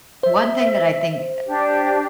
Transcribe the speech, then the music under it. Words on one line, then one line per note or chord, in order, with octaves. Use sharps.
one thing that I think,
C5 E5
D4 G4